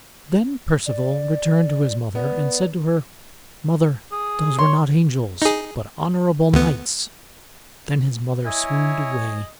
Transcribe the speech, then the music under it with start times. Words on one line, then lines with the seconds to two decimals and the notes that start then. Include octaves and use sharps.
Then Perceval returned to his mother, and said to her, "Mother, those were not angels, but honorable knights." Then his mother swooned away.
0.86 D5
2.15 B3 D5
4.12 G#4
4.59 C#5 C6
5.42 D#4 G#4
6.53 D2 B3
8.45 E4 C#5 D#5 G#5